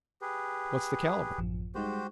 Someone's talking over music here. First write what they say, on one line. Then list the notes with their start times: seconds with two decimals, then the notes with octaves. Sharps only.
"What's the calibre?"
0.21 G4 G#4 B4
1.38 A1 F#2 F3
1.75 G3 G#3 D#4 F#4 G4 C5